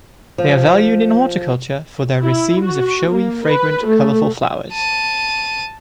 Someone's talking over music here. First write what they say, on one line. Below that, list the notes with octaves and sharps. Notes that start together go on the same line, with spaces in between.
They are valued in horticulture for their racemes of showy, fragrant, colorful flowers.
F3
E4
F#4
A#3
B4
A3
A5 D#7